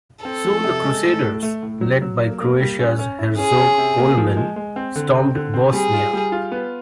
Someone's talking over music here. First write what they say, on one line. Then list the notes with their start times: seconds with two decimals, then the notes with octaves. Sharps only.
Soon the Crusaders, led by Croatia's Herzog Coloman, stormed Bosnia.
0.25 C4 A4
0.45 F3
0.64 C3
0.83 G#3
1.03 A2
1.23 A2
1.43 A3
1.63 A2
1.81 F#3
2.02 F#3
2.20 A#3
2.40 A#3
2.60 G3
2.79 C#4
2.99 C#4
3.19 E4
3.39 C#4 G#4
3.58 C#4
3.78 C3
3.98 A#3
4.17 F3
4.37 G#3
4.56 G#3
4.76 C4
4.96 D3
5.15 C4
5.35 D3
5.54 C4
5.73 G3 G#4
5.93 F4
6.13 G3
6.32 F4
6.52 B3